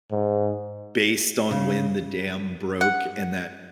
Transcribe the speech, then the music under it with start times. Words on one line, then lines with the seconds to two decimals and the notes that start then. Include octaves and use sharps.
based on when the dam broke and that
0.11 G#2
1.51 C#3
2.81 F#5